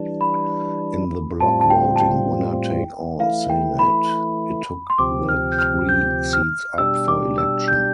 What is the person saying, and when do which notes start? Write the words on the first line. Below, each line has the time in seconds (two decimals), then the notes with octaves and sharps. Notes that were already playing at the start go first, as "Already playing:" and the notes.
In the bloc-voting winner-take-all Senate, it took the three seats up for election.
Already playing: E3 G3 D4
0.21 B5
1.40 A2 G3 C4 F4 A5
1.61 A5
1.70 G5
1.96 A5
2.00 G5
3.20 E3 A3 E4 F5
3.50 G5
3.79 B5
4.90 C6
4.98 D2 C3 F3 C4 G4 D6
5.29 F6
5.52 G6
5.59 F6
5.89 G6
6.33 F6
6.78 B2 G3 D4 G4 E6
7.08 D6
7.38 E6
7.68 G6